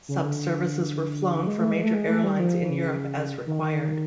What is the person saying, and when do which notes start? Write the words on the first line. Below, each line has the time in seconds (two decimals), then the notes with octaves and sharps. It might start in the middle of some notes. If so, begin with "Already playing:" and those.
Sub-services were flown for major airlines in Europe as required.
0.08 C#3
0.23 D3
1.47 G#3
1.58 A3
1.71 G#3
1.83 A3
1.94 G#3
2.08 A3
2.24 G3
2.39 F3
2.70 C#3
3.47 D#3
3.62 D#3